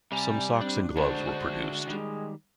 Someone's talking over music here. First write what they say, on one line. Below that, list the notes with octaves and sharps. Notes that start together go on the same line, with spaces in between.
Some socks and gloves were produced.
C3 G3 G#5 A#5
C4 D4
D3 G#3 D4 F#4 C5
D#3 G3 G#3